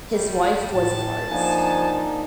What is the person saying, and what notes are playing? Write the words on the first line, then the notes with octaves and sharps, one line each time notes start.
His wife was an artist.
G3
E2 A2 A5
F3 A#3 D4 D#4 F5 F#5 G#5